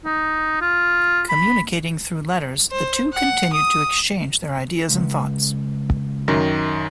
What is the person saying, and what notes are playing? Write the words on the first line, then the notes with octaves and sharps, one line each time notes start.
Communicating through letters, the two continued to exchange their ideas and thoughts.
D#4
F4
B5
C5
F#5
D#6
C#2
F#2 D#3 A#6